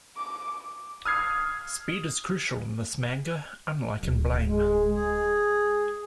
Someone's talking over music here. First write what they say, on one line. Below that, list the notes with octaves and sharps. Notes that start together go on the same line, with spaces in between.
Speed is crucial in this manga, unlike in Blame!
D6
D#6 F6 G#6 C7
D1
G#3
G#4